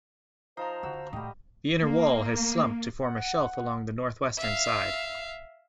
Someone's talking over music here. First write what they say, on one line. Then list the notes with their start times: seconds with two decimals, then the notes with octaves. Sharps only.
The inner wall has slumped to form a shelf along the northwestern side.
0.57 F3 D#4 C5 F5 A5 A#5
0.83 D3 F#4 E6
1.13 A2 G3 D#5 G5
1.81 A#3
3.01 F#5
4.37 E5 F5